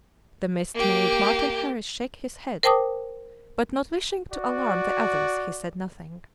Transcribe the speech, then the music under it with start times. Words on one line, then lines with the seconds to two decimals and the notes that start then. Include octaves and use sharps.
The mist made Martin Harris shake his head; but, not wishing to alarm the others, he said nothing.
0.75 A#3 G4
2.63 A#4 C5 G5 A5 D6 D#6
4.31 F#4 D5